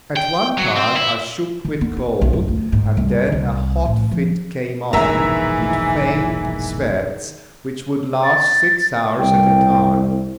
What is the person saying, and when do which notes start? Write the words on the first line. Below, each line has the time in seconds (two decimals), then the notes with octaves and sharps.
At one time I shook with cold, and then a hot fit came on, with faint sweats, which would last six hours at a time.
0.17 G5
0.58 F#3
0.76 C4
0.96 E4
1.65 D#3
1.81 B3
1.97 E4
2.21 B1
2.33 F#2
2.48 D2
2.72 G#2
2.97 C2
3.32 C2
3.85 A1
4.11 F3
4.93 E1 A#1 G2 D#3 E3 G#3 E5 A#5
8.24 A6
9.19 C2 G5